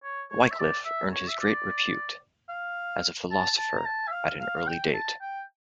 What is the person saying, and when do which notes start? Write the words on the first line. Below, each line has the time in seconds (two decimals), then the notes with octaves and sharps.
Wycliffe earned his great repute as a philosopher at an early date.
0.04 C#5
0.31 C#5
0.51 E5
0.59 D5
0.85 E5
1.13 C#5
1.28 E5
1.41 D5
2.49 F5
3.31 A5
3.58 A5
3.77 A#5
3.85 A5
4.07 E5
4.12 F5
4.39 F5
4.56 F5
4.67 G5
4.94 A5
5.21 G5